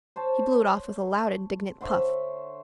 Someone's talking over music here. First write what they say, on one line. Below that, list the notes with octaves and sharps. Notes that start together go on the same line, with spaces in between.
He blew it off with a loud, indignant puff.
C5 C#5 A5
D3 C5 C#5 E5